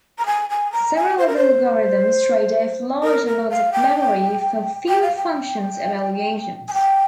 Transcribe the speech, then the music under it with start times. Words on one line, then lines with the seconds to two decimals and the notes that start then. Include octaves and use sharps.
Several other algorithms trade off larger amounts of memory for fewer function evaluations.
0.18 A#5
0.26 G#5
0.50 G#5
0.72 A#5
0.96 G#5
1.18 C5
1.28 A#4
1.37 C5
3.03 A#4
3.27 A#4
3.50 F5
3.73 G5
4.89 G5
5.02 F5
5.16 G5
6.68 G#5
6.73 G5